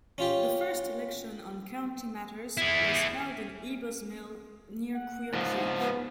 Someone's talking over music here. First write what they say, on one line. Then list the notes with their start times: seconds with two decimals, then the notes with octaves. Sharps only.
The first election on county matters was held in Eby's mill near Queer Creek.
0.18 C#4 F4 G4
2.57 E4 G#4
4.94 F#5
5.33 G#2 F3
5.79 B3